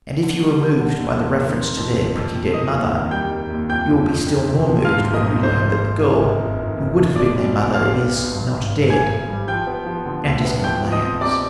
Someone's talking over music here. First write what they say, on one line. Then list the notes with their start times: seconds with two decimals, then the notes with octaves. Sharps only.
And if you were moved by the reference to their "pretty dead mother," you will be still more moved when you learn that the girl who would have been their mother is not dead and is not Lamb's.
0.23 D3
0.42 G3
0.61 D3
0.81 D3
1.00 D#2
1.19 D#2
1.38 D#3
1.57 C4
1.77 F2
1.96 F2
2.15 F2
2.35 F2
2.53 D#3 D#5 D#6
2.73 D#2
2.92 D#3
3.11 G3 G5 G6
3.32 D#3
3.50 D#2
3.69 F2 G5 G6
3.89 F2
4.08 F2
4.27 F2
4.46 F2
4.66 F3
4.85 G#2 F5 F6
5.04 G#1
5.14 D#5 D#6
5.23 G#2
5.43 G#1 C5 C6
5.62 G#1
5.82 G#1
6.01 G1
6.20 G1
6.40 F2
6.58 D#3
6.78 F2
6.97 F2
7.16 B2 D5 D6
7.36 B1
7.55 B1
7.74 B2 F5 F6
7.94 B3
8.13 B1
8.32 G2
8.52 G#1
8.71 G2
8.90 G#1 G#5 G#6
9.10 G#1
9.28 G3
9.48 F3 G5 G6
9.67 B3
9.86 F3
10.06 D3
10.25 D2
10.45 B3
10.63 F3 G5 G6
10.83 F3
10.92 D#5 D#6
11.02 C4
11.21 C3 D5 D6